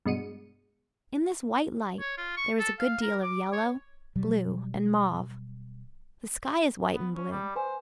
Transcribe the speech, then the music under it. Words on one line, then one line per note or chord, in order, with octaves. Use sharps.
In this white light, there is a good deal of yellow, blue and mauve; the sky is white and blue.
G2 B2 G#3 C#7 D#7
C#5
F4
C#6
A4
F5
A#4
D6
C#5
B2 F#3 G3
B3
C#4
G3
B4 C5 G#5